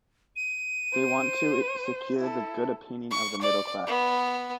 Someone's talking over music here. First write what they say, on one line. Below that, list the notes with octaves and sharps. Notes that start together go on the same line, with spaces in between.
They want to secure the good opinion of the middle classes.
D#7
C5
E4 A4
C#6
D5
B3